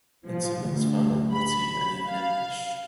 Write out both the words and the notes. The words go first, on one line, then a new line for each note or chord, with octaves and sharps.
Intimates found him witty and even impish.
F3
D2
B5
F5